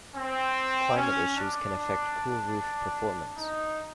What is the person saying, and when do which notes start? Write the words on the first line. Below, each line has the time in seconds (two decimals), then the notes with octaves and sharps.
Climate issues can affect cool roof performance.
0.16 C4
0.95 C#4
1.36 D4
1.75 D4
3.37 D#4